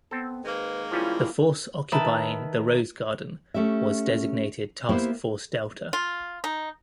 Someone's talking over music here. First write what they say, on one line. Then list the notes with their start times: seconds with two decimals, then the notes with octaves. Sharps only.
The force occupying "The Rose Garden" was designated Task Force Delta.
0.11 B3 C4 A4
0.45 D#3 G#3 A#3 B4
0.91 F3 G3 C#4 E4 F4
1.92 D#3 B4 E5 A5
3.54 A3 C#4 G4 E5
4.89 A#3 B3 E4 G4 C5
5.93 F4
6.44 D#4